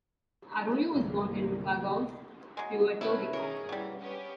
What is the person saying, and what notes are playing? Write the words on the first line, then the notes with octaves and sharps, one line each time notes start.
Arroyo was born in Caguas, Puerto Rico.
G1 C2 G3 A#3
F#3 G#3
B2 D#3 A3 C#4 E4 B4 E5
D#3 C#4 G#4 A#4 C#5
G2 E3 F#3 G3
B3 C#4 G4